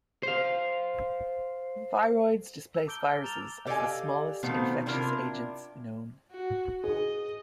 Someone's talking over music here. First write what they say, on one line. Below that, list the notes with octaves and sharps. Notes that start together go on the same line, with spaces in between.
Viroids displace viruses as the smallest infectious agents known.
C5 F5
E6
A5 A#5 D6 G6 D7 G7
F6
A#5 F6 A6 F7 G7
G4 A4 D5 D#5 F5 G#5
B2 D#3 F3 A3 B3 C4
C3 D4 E4 F4 A#4
F#4
G#4 D#5